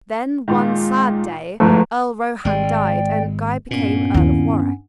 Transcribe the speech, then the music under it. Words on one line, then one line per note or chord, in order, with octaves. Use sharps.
Then one sad day Earl Rohand died and Guy became Earl of Warwick.
A#2 D#3 G#3
G1 E2 G#2 F3 A3
G#1 G#3 D5 G5
G2 A#2 B3 C#4
D#2 E4